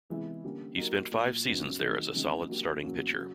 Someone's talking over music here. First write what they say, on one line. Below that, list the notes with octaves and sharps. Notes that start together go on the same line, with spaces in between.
He spent five seasons there as a solid starting pitcher.
C3 E3 G#3 B3 E4
D3 G3 A#3 C#4
F#3 A#3 D#4 G4 A#4
A#2 F#3 A#3
F#2 C#3 F#3 B3 D#4
D#3 F#3 A3 C4 D#4
C#3 E3 G#3 C4 D#4
F#3 A#3 D4 G4
E2 C#3 F#3 A#3 C#4
C#3 F#3